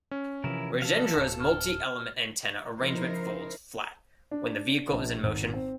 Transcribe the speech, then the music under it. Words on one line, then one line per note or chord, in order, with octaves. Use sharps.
Rajendra's multi-element antenna arrangement folds flat when the vehicle is in motion.
C#4
C3 E3 F3 E4 A#4
A4 F5
D1
F6
C#3 F3 D#4 E4 A#4 C5
D4
A#1
G#1
C4